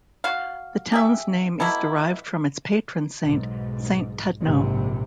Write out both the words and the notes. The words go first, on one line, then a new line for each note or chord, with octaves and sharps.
The town's name is derived from its patron saint, Saint Tudno.
F#4 F5
G4 G#4 E5
B2 A3 A#3 E4
B1 G#2
A#1 G#2 C3